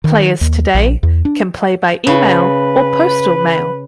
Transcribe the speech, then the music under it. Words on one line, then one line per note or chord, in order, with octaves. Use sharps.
Players today can play by email or postal mail.
D#3
D#2
A#1
E2
D4
C#3 B4